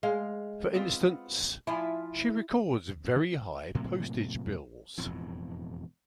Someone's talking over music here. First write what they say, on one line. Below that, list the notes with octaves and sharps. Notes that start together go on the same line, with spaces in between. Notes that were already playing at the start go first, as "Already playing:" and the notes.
For instance, she records very high postage bills.
G#3 F5
B3 C4 F4
F3 E4 F4 G#5
A2 C3 F#3 A#3
E1 F2 A2